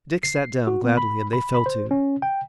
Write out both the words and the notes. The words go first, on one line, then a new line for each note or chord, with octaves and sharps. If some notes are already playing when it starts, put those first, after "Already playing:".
Dick sat down gladly, and they fell to.
C7
F#4
B3
B5
B5
B5
C5
C#4
G5